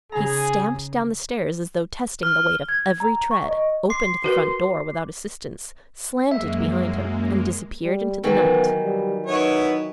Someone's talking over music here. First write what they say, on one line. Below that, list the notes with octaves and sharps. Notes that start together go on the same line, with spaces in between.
He stamped down the stairs as though testing the weight of every tread, opened the front door without assistance, slammed it behind him and disappeared into the night.
C#3 G#4 A#5
F6
G#6
A#5
C#6
D#5
C6 D6 C7
F#4 A#4 B4
F#2 G#3 A#3 E5
G3
D#3 E3 F#3 B3
G3
B3 D#4 E4 C#5